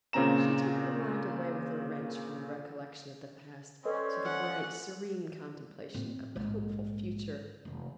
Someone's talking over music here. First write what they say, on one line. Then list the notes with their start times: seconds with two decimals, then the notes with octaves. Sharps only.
She took her mind away with a wrench from the recollection of the past to the bright serene contemplation of the hopeful future.
0.13 A#2 C#3 C4 C#4 A#5 E7
3.85 C4 C#4 A4 B4 D5 D#5
4.25 F#5
5.94 A2 C4
6.36 A#1 G#2
7.65 F1 E2